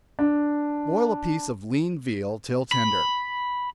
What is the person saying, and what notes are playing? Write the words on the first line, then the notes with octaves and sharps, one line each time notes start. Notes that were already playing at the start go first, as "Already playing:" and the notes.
Boil a piece of lean veal till tender.
D4
B5